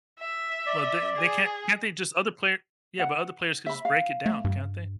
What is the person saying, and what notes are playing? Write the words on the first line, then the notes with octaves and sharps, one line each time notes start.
Well, they they can't can't they just other player yeah, but other players can just break it down, can't they?
E5
D5
G#4
F#5
E5 B5
F5
A3
G2